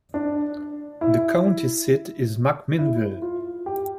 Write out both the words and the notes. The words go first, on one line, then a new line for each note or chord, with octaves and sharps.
The county seat is McMinnville.
D4
E4
E4
F4
G4